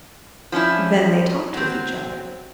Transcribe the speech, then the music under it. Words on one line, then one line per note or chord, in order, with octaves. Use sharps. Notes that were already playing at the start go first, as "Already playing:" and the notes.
"Then they talked with each other."
F3 C#4 D4 E4
F#3 C4